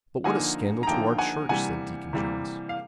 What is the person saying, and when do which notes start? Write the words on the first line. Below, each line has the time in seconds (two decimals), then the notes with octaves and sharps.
"But what a scandal to our church!" said Deacon Jones.
0.24 D3 F3 A#3 D#4 F#5 G#5
0.83 A#5
0.87 D3 F3 A#3 D#4 G5 A5
1.18 F#5 G#5
1.49 C3 E3 G3 A#3 F#5 G#5
2.13 C3 E3 G3 A#3
2.69 F5